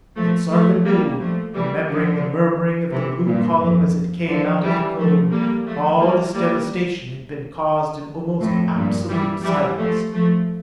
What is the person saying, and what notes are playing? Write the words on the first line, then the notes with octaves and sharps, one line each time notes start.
Yet, Sarka knew, remembering the murmuring of the blue column as it came out of the cone, all this devastation had been caused in almost absolute silence.
F3 A3
F3 A3
G3 A#3
F3 A3
E3 G3
D3 F3
C3 E3
G2 A#2
F2
D3 F3
E3 G3
F3 A3
G3 A#3
F3 A3
G3 A#3
G3 A#3
F2 A2
G2 A#2
E3 G3
E3 G3
F3 A3
F3 A3